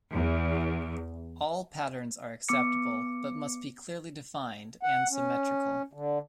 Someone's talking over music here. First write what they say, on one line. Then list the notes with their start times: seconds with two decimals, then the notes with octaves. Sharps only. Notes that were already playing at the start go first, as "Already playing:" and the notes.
All patterns are acceptable, but must be clearly defined and symmetrical.
0.14 E2
2.49 B3 D6 C#7
4.83 F#5
5.11 C#4
5.93 D3